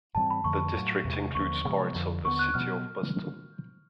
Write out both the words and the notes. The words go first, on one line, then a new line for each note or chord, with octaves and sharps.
The district includes parts of the city of Boston.
G#2 E3 G3 C4 A5
B5
F2 D3 F3 A3 C#6
A2 F#3 A3
E2 C3 E3 G#3
D#2 D3 F3 A#3 C#6
C3 F3 G#3 B3
F2 D3 F3
D#2 D3 G3 B3 C#6
F#6
B2 F#3 B3 F6